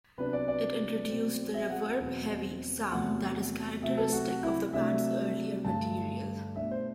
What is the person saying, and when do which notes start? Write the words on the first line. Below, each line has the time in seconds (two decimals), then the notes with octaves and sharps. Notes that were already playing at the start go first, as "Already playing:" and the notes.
It introduced the reverb-heavy sound that is characteristic of the band's earlier material.
0.18 C3 F#3 B3 D4 B4
0.33 D5
0.48 D5
1.09 B2 F#3 C4
1.54 E5
1.70 F#5
1.85 F#5
2.00 E2 B2 F#3 C4
2.92 E2 C3 F#3 A3 F#5
3.82 C3 F#3 A3 E5
3.97 A4
4.12 F#4
4.28 F#4
4.43 E4
4.73 C3 F#3 A3 D4 E5
5.65 G2 D3 A3 D4 A5
6.56 B2 A3 D4 E5
6.71 C5